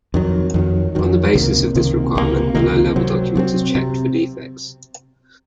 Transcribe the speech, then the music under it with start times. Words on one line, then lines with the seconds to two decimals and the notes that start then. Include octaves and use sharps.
On the basis of this requirement the low-level document is checked for defects.
0.14 F2 D#3 F#3
0.54 F2 D#3 F#3
0.95 F2 D#3 F#3
1.34 C#2 C3 D#3 A#3
1.75 C#2 C3 D#3 A#3
2.15 C#2 C3 D#3 A#3
2.55 C#2 C3 D#3 A#3
2.96 C3 F#3 C4
3.35 C3 F#3 C4
3.75 C3